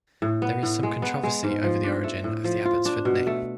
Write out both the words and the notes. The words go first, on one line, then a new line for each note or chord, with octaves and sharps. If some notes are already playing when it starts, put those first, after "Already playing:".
There is some controversy over the origin of the Abbotsford name.
A2
B3
A2
G#3
B3
G#3
G#2
F3
D4
A3
A2
F3
F4
D4
B2
A3